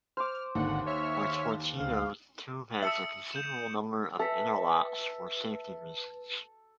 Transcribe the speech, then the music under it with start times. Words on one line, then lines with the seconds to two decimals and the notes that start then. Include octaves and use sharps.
A torpedo tube has a considerable number of interlocks for safety reasons.
0.17 C5 D6 F6
0.55 G#1 D#2 D3 F#5
0.86 C#5 E5 C#6 F6
1.79 D2 F5
2.82 E5 A5 D#6 E6 C#7 F#7
3.33 G6 D#7 E7
4.19 A4 B4 E5 B6